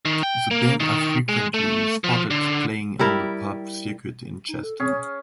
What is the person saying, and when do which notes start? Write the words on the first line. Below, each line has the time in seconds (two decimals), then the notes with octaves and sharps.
The band are frequently spotted playing on the pub circuit in Chester.
0.05 D#3
0.23 G5
0.51 A#3
0.80 D#3
1.29 G#3
1.54 A3
2.04 F3
2.30 D3
2.99 G3 E4 A#4
4.48 D#4
4.63 A4
4.80 C4 C#4 G#4
4.93 F6